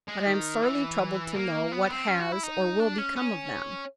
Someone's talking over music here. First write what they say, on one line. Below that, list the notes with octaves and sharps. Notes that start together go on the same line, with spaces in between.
But I am sorely troubled to know what has, or will become of them.
G#3
D#3
E3
A#3
B3
C4
C#4
F#4
E4
D#4
D4
C#4
C#4